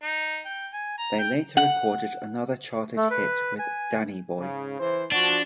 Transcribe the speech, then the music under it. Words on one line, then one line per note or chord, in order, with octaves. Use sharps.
They later recorded another charted hit with "Danny Boy".
D#4
G5
G#5
A#5
G5
F#5
A3
B4
G#5
G#2 C#3
E3 C5
F3 D4 F#4